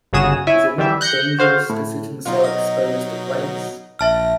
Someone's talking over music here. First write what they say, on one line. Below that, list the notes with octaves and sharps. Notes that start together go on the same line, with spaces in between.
Is it not dangerous to sit in so exposed a place?
G1 C#3 F#4 G#4 D#6 E7
E4 C#5 E5 G#5
E3 G3 G4 E5
F#6 G6 A#6 C#7
F#4 C5 F5
A2
B2 F#3 D#4 F4
D#5
A#1 E5 A5 F6 A#6